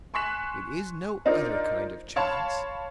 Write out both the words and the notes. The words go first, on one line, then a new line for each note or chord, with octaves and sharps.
It is no other kind of chance.
G#5 C6 C#6 F#6 B6 E7
D4 D#4 F4 A#4 C5 D5
C#5 F5 A5 B5 C6